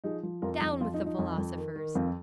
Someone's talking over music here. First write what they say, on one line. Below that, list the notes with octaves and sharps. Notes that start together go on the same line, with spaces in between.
Down with the philosophers!
F3 D#4 G#4
F3
F2 F4 A#4
F2 D#4
F3 C4 F4
D#4
F3
D#4
F2
F2
D#3
D#3
F2 C4 F4